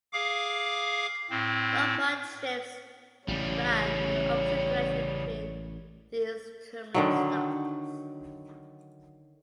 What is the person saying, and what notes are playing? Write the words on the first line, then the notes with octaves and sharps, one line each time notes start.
Northbound trips run in the opposite direction between these terminal stops.
G#4 F5 D6
A2 C4
A1 C#3 G3 C#5
D3 D#3 F#3